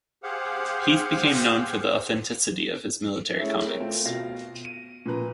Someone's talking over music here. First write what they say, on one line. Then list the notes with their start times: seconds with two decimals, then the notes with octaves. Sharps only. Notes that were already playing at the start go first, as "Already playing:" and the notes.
Heath became known for the authenticity of his military comics.
0.23 G4 G#4 C5 F5 F#5
3.39 A3 C#4 E4 G#4 E5
3.65 C4 A#4 C#5
3.80 A3 C4 F4
4.05 B2 F4 F5 A#6
4.65 D#7
5.06 A#2 F3 B4 A#5